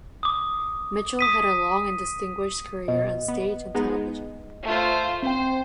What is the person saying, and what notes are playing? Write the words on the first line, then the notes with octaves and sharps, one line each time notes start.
Mitchell had a long and distinguished career on stage and television.
D6 D#6
D#6 B6 D#7
B2 D#5
B3
G#3 B3 D#4
A3 F4 C5
C4 C5 G5